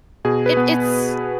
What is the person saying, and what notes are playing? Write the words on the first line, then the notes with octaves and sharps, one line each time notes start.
it it's
B2 G#4
B4
B3